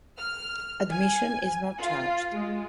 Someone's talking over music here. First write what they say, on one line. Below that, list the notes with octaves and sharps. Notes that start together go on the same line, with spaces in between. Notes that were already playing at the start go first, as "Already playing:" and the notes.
Admission is not charged.
F6
G#5
F4
G#3